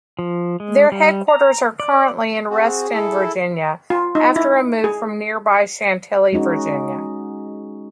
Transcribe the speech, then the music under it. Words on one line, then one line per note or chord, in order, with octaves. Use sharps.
Their headquarters are currently in Reston, Virginia after a move from nearby Chantilly, Virginia.
F3
G#3
G3
A#5
D5
C4 F#4 G#4
E4 A4
F4
D#4
E4
G#4
G#3 C#4 D#4 F#4